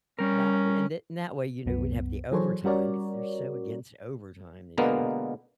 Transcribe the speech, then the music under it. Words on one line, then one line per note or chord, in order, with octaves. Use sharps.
that way and then that way, you know, we'd have the overtime- 'cause they're so against overtime these days-
G3 C#4 A#4
C2 F#2 B3
E3 F#3 G#4 A4 C5 C#5
G3 C#4 F#4 A#4 C#5 D5
B2 D3 G#3 A#3 B3 A#4